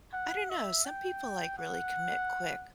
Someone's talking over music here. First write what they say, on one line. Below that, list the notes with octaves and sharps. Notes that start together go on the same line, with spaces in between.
I don't know, some people, like, really commit quick.
F#5
E5
G5
F#5